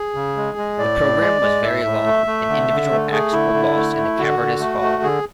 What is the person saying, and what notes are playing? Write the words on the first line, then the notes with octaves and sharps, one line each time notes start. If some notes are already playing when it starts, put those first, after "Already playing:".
The program was very long, and individual acts were lost in the cavernous hall.
Already playing: G#4
C#3
G#3
G#3
A2 D5
A2
G#3
G#3
A2 E5
A2
A3
A3
D3
D3
A3
A3 G#4
D3 E4
D3
A3
A3
D3 F#4
D3
A3
A3
D3 G#4